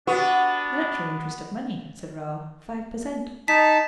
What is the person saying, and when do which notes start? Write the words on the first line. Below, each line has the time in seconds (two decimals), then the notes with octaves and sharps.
"The natural interest of money," said Raoul,--"five per cent."
0.07 B3 D4 F#4
3.48 D#4 A5 B6